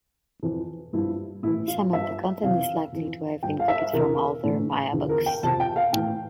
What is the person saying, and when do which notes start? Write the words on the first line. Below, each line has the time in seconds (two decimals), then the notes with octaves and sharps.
Some of the content is likely to have been copied from older Maya books.
0.43 F2 E3
0.93 G2 F3 E4
1.43 A2 E4
1.47 E3
1.68 F4
1.93 G2 F3 E5
2.43 F2 C3 E3 F5
2.93 F2 E3
3.43 G2 F3 G5
3.60 F5
3.68 E5
3.93 E2 C3 E3 A#4
4.44 A2 E3
4.93 E2 D3 F3
5.09 A#4
5.26 G5
5.43 F2 C3 F3 A5
5.60 G5
5.76 F5
5.93 A2 E3 G5